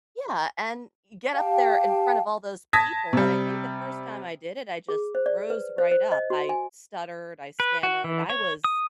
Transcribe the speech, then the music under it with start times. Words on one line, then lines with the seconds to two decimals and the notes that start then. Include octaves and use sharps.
Yeah, and get up there in front of all those people, and I think the first time I did it, I just froze right up, I stuttered, I stammered, I was
1.34 G4 F5 G5 A5
2.73 A5 D#6 G#6 A#6 B6
3.13 C3 G3
4.89 G#4
5.15 C5
5.26 D5
5.50 B4
5.78 C5
5.91 C5
6.12 D#5
6.30 F#4
6.49 G#5
7.60 B4
7.83 F#4
8.04 E3
8.30 C#5
8.64 D#6